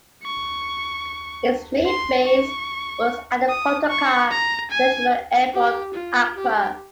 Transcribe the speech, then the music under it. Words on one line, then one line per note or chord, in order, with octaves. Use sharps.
Its main base was at Kotoka International Airport, Accra.
C#6
C6
C#6
D#6
C#6
A#5
G#5
G4
F4
G4